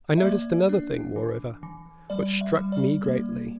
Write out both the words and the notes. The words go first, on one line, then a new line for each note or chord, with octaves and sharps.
I noticed another thing, moreover, which struck me greatly.
E5
A#3 D5
D4
E3
E3
G3 D5
E5
G3
D5
A#3